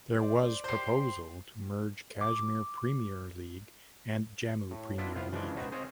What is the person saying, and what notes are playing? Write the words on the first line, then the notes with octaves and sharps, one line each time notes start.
There was proposal to merge Kashmir Premier League and Jammu Premier League.
C5 D5
G4 C5 C6 G6 C7
D6
A2
B3 D4 E4 F4 E5
C2 C3 B3 F4 F5
C#3 E3 F3 G#3 D4
C#2 B2 B3 D#4 F#4 C5
C4 G#4 C5 C#5 D#5 F5